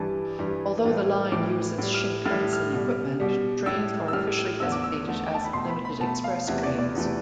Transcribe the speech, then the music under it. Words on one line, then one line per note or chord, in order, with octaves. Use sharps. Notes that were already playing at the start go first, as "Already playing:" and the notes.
Although the line uses Shinkansen equipment, trains are officially designated as limited express trains.
Already playing: G2 E3 G3 A5
G2 E3 G3
A2 E3 A3
A2 E3 A3 D6
A2 G3
F6
A2 G3 F6
F6
B2 G3
B2 G3
A2 G3 E6
E6
A2 G3 F6
E2 D3 A3 E6
D6
E6
E2 D3 A3
G5
A5
B5
B2 A3 C6
B5
B5
B2 A3 A5
F5
E2 C3 E3 A3 E5
D5
D5
E2 C3 E3 A3